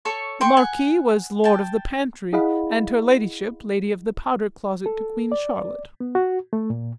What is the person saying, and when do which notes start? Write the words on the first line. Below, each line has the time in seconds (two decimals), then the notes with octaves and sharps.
The Marquis was Lord of the Pantry, and her Ladyship, Lady of the Powder Closet to Queen Charlotte.
0.05 A4 C#5 C#6
0.41 G5 C6 C#6
0.57 F#5 G#5
1.44 G5 A5
2.33 E4 G#4 D#5 F5 F#5 B5
4.86 A4
5.32 D5
6.00 B3
6.15 F#4
6.53 A3
6.70 A#2